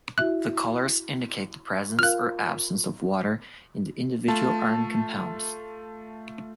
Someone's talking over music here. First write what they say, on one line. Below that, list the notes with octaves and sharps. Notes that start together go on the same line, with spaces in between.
The colors indicate the presence or absence of water in the individual iron compounds.
E4 F#4 E5 F#6
F4 A#4 F5 F6 F#6
A3 F4 A5